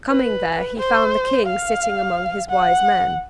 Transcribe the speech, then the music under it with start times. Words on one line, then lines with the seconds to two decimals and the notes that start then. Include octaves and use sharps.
Coming there, he found the King sitting among his wise men.
0.09 B4
0.78 C5
1.46 F5
2.50 F#5